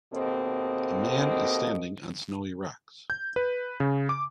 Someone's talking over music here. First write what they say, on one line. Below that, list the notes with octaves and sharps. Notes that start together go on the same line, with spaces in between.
A man is standing on snowy rocks.
D#2 B2 A#3 C4 A4 D#5
G6
B4
C#3
D6